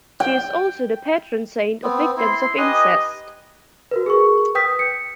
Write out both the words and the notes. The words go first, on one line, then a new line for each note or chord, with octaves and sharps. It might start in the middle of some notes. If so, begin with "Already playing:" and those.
She is also the patron saint of victims of incest.
G5
B3 C4
C4 E4 C6
D#4 G4 B4 D#5 G#5
F#4 A#4 B4
G#4 A#4 C#6
B4 G5 D#6 G6 B6
C#7